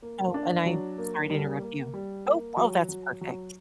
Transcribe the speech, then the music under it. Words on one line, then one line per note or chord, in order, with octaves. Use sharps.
Oh, and I'm sorry to interrupt you. Oh, oh, that's perfect.
A#3
D4
F#3
A#3
G3
A#3
G3
A#3
F#3
F#3
F#3